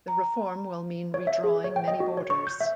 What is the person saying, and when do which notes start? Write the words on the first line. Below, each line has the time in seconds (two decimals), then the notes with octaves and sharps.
The reform will mean redrawing many borders.
0.08 A#5
1.14 C#5
1.27 E5
1.44 G#4
1.64 C#5
1.76 G5
1.88 D#5
2.00 F#4
2.17 C#5
2.30 C#6
2.47 G6
2.61 E5